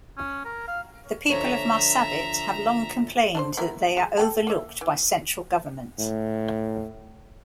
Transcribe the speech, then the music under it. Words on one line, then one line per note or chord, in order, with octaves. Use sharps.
The people of Marsabit have long complained that they are overlooked by central government.
C#4
A#4
F5
D3 F3 C#5 E5 A#5
D4 A#4 C5
B3 E4 A#4
G#3
A4 G5 A5
A#3 E5
E3
A2